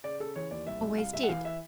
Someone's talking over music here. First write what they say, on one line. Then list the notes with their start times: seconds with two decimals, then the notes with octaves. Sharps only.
Always did.
0.04 C#3 D5
0.20 C#3 A4
0.35 E3 C#5
0.51 D#2 D5
0.67 C2 E5
0.82 C2
0.98 C2 F5
1.13 C2 E5
1.23 F#5
1.29 E3 F5
1.45 E5